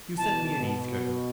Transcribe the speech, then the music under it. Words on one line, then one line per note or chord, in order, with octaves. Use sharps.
"You set me at ease, Colonel."
B2 E3 A5
B2